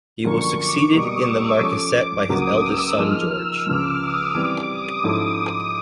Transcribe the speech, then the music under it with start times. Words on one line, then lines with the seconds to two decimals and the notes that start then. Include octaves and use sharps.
He was succeeded in the marquessate by his eldest son, George.
0.24 F#2 D3 F3 A#3 C#6
0.58 D6
0.92 B2 G3 A#3 D#6
1.26 E6
1.60 F3 A3 C#4 D6
2.29 C#2 C#3 F#3 A#3 D#6
2.64 E6
2.98 F3 A#3 D#4 G#4 F6
3.32 E6
3.67 C#2 C#3 F3 D6
4.01 D#6
4.35 E3 G3 C4 D6
4.70 D#6
5.04 G#2 F3 A3 C#4 E4